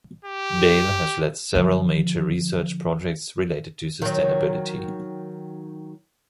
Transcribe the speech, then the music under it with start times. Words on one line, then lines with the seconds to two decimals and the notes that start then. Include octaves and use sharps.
Dale has led several major research projects related to sustainability.
0.25 G4
1.55 D3 F3
4.02 D#3 F#3